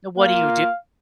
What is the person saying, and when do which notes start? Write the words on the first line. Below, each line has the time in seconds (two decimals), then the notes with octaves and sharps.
what do you,
0.18 A#3 F4 F5